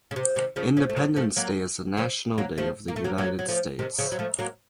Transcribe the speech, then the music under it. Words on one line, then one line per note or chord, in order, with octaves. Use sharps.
Independence Day is the National Day of the United States.
C#3
C3
C3 D#3
C#3 F3
C#3 F3
A3
D#3 F#3
F3 A3
F#3 A#3
C#3 F3
F#3 A#3
F3 A3
A#3
A3
F#3 A#3
F#3 A#3
F#3
F3 A3
C3 D#3
C#3 F3
F#3
F3 A3
F#3 A#3